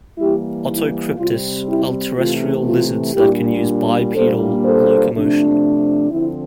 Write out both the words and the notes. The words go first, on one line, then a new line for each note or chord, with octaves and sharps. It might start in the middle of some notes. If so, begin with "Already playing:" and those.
"Otocryptis" are terrestrial lizards that can use bipedal locomotion.
E3 G3 A#3 E4 G4
E4
C3 G3 C4 F4
E4 G4
C3 E3 A3 F4
F4
A#2 G3 D4 E4 G4
A#2 G3 A#3 D4 A4 C5
A4 C5
C3 F3 A3 D4
D3 F3 C4 E4